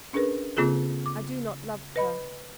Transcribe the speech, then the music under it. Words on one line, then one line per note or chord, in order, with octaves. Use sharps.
I do not love her.
C#4 D4 G#4 A#4 B4
C#3 A#3 C4 F4 G#4 A4
D6
B4 D#5 B5